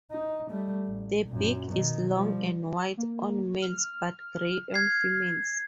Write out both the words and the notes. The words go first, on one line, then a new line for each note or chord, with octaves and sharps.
The beak is long and white on males but grey on females.
D#4
G3 A3
A1
F#2 A#2
B2 D#3
F3 G3
A#3
F6
G#6 C7